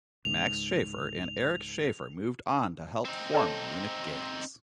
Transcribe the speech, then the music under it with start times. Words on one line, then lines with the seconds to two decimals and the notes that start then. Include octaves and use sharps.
Max Schaefer and Erich Schaefer moved on to help form Runic Games.
0.25 C#2 G#2 F7
3.05 C4 D#4
3.34 A4 C#5 A5